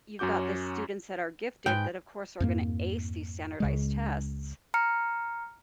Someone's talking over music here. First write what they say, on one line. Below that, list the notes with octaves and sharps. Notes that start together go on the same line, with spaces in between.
you've got the students that are gifted that, of course, are gonna ace these standardized tests,
F#2 C#4 F#4 D6 G6
G#2 B4 G5 G#5
F2 G#2 A#3
C#2 C#3 G#3
A#5 F6 C#7